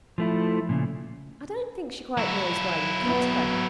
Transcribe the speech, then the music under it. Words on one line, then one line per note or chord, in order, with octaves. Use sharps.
"I don't think she quite knows why you've cut her."
F3 A3 E4
A#2 C#3
F#3 E4
B3